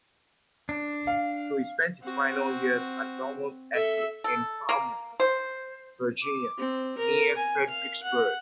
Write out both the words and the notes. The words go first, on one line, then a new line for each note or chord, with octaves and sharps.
He spent his final years at Belmont Estate in Falmouth, Virginia, near Fredericksburg.
D4
F5
C4 F#4
A4 E5
A4
A#3
C5
D6
C4
A#4
G#5
F5
F#5